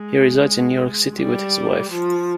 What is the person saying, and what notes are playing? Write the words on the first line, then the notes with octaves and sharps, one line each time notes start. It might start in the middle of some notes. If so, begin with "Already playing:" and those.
He resides in New York City with his wife.
Already playing: G#3
G3
F3